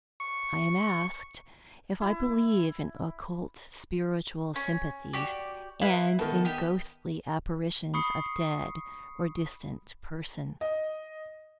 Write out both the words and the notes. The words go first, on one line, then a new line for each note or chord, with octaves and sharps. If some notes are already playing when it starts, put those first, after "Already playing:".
I am asked if I believe in occult spiritual sympathies, and in ghostly apparitions of dead or distant persons.
C#6
E4
C#4
F#4 G4 D5 D6
E4 B4 F5
D#3 B3 A4
G4 D#5 E5
B5 C#6 D#6 C7 C#7
D#5